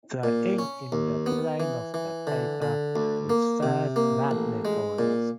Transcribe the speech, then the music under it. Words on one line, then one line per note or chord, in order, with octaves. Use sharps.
The ink in the plane of the paper is first magnetized.
A#2
C#4
D#2
B3
E3
E3
D3
D3
D2
A#3
C3
A#3
A1
G#3
A#2